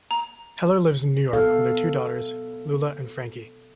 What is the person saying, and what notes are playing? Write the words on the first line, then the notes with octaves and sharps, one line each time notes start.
Heller lives in New York with her two daughters, Lula and Frankie.
A#5
B2 A4 F5